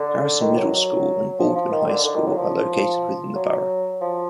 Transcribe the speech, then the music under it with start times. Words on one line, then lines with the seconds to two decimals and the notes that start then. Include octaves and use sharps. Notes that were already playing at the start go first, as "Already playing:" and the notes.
Harrison Middle School and Baldwin High School, are located within the borough.
Already playing: D3
0.41 D#3
0.57 F#3
1.39 F3
1.55 F3
1.71 D#3
1.88 D3
2.05 D3
2.15 D#3
2.27 F#3
2.37 F3
3.35 F#3
4.01 F3